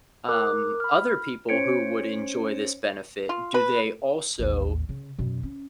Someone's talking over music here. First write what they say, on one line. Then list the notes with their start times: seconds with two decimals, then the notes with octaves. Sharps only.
um, other people who would enjoy this benefit, do they also
0.29 A#4 D6 F#6
0.80 B5 F6
1.49 C#4 C5 C#5 G#6 C#7 D7
3.29 F4
3.54 B4
4.39 A1 D#2
4.89 C#3
5.18 F#2 B2
5.43 C#4